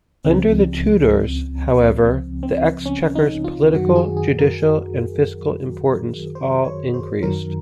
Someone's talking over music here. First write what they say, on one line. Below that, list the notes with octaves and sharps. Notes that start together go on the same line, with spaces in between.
Under the Tudors, however, the Exchequer's political, judicial and fiscal importance all increased.
C#2 C#3 F3 C4
C4
C4
C#4
D#4
F4
F#2 D#3 F#3 F#4
G#4
G#4
A#4
C5
C#5
C5
F#2 D#3 F#3 A#4